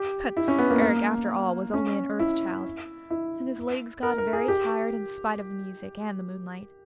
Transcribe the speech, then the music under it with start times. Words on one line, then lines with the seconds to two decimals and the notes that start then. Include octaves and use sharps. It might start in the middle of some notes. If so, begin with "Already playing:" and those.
But Eric, after all, was only an Earth Child, and his legs got very tired in spite of the music and the moonlight.
Already playing: G4
0.37 E4
0.48 C#4
0.58 B3
0.70 A#3
0.82 A#3
1.74 C#4
2.19 E4
3.10 E4
4.03 A#4
4.18 A#4
4.33 G#4
4.48 G4